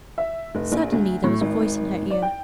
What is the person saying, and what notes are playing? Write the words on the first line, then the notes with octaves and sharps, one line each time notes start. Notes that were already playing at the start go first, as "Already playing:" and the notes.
Suddenly there was a voice in her ear.
E5
F1
A#1
D2
A2
G#1
D5
G5